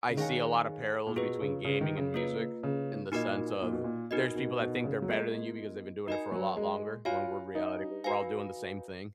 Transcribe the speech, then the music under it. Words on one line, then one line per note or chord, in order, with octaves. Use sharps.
I see a lotta parallels between gaming and music, in the sense of, there's people that think they're better than you because they've been doing it for a lot longer, when we're reality, we're all doing the same thing,
C#3
D#3 G#4 C#5 F5 G#5
A#2
B2 F4 G#4 B4
C#3
C#3
D#3
C#3
A#3 F4 B4
C#3
A#2 D#4 F#4 A#4 D#5
A#2
B2
A#2
B2 D#4 F#4 A#4 D#5
B2
B2
B2
C#3
F#3
G#3 B3 F4 A#4 D#5
D#4 F#4 A#4 D#5 G#5
F#3
G#3
F4 F#4 C#5 F5 G#5
D#4
F#4 B4 F5 G#5